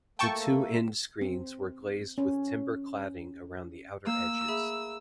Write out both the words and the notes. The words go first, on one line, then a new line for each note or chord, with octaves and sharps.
The two end screens were glazed with timber cladding around the outer edges.
A3 A#3 A4 G5 A5 C#6
C4
C#4
A#3 E6
G#4 E5 B5